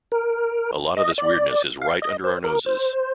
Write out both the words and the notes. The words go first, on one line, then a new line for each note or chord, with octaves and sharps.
A lot of this weirdness is right under our noses.
A#4
D#5
D5
F5
D#5
C5
A#4
C5